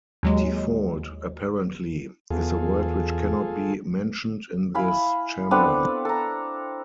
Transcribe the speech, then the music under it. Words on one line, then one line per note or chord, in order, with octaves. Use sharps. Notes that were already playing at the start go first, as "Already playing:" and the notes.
Default, apparently, is the word which cannot be mentioned in this chamber.
D#2 F#3 G#3
E2 F4 G#4 A4
E4 F5 G#5 B5
B3 C4 D4 A4
A4 A#5